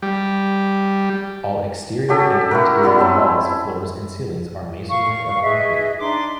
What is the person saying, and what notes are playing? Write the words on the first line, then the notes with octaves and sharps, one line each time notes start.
All exterior and interior walls, floors and ceilings are masonry or concrete.
G3
C#4 F#4 G4 A4
E4 F#4 A#4
G3 B3 E4
C4 C#4 A5
F5 C#6
G#4 B4 D#5 E5
D4 D#4 C6 D6